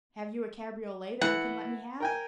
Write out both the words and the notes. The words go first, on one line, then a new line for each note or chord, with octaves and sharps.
"Have you a cabriolet that you can let me have?"
E3 F#5
A#4 G5 G#5